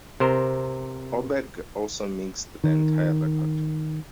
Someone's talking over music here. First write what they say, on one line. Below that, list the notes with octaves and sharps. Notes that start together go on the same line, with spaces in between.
Oberg also mixed the entire record.
C3 A#4 C5
D#3